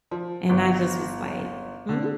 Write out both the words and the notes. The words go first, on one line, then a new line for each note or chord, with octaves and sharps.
and I just was like, "Hmm?"
F3
G1
D3